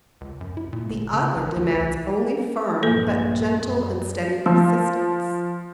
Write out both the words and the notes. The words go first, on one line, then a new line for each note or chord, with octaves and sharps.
The other demands only firm, but gentle and steady persistence.
C#2
F#2
E4
A#2
G1
C#3
A1
D2
C2
A#1 G2 A#3 A4
F#2
F3